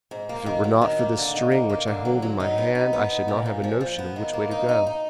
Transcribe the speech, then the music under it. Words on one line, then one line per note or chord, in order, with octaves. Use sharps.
"If it were not for this string which I hold in my hand I should not have a notion which way to go."
G#2
A#3
D#3
F#3
D#3
A#3
D3
D#4
A#3
A#3
D3
F#3
F#3
D#4
B3
D#4
B3
D#4
A#2
A#2
F3
F3
B3
D#3
A#3
D#4
D#4
D#4